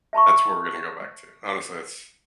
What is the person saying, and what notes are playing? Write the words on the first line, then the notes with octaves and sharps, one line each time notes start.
That's where we're gonna go back to, honestly, that's
E5 A5 B5 C#6